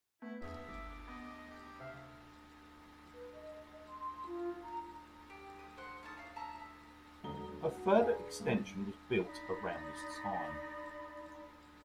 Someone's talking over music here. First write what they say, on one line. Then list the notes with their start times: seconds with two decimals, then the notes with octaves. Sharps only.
A further extension was built around this time.
0.22 A3 B3 E4
0.41 E2 E5
0.68 G1 D6
1.08 B3 D#5
1.50 G4
1.80 C3 E5 F5
3.13 B4
3.33 D#5
3.86 C6
4.26 F4
4.61 A#5
5.30 G4
5.59 D#6
5.77 C5 F#5
6.03 C#4 D#4 A5 D#6
6.18 C#5 F5
6.36 E5 A5 A#5
7.24 E1 D3 F#3 A#5 D#6 G7
7.64 F#4
7.99 G#4 B4 D5 G#5 A#5 B5
8.40 G2
9.25 D#4 D5 B5